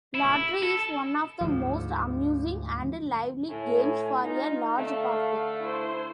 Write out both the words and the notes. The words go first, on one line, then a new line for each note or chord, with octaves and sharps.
Lottery is one of the most amusing and lively games for a large party.
E4
A4
D2 G#2 F3
A2 G#5
D#4 F4
D3 A3 F5
E4 C5